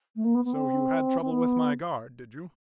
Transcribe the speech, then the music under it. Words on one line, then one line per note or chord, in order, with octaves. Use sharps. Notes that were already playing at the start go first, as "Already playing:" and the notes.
"So you had trouble with my guard, did you?"
A3
A#3
B3
B3
C4
C4
B3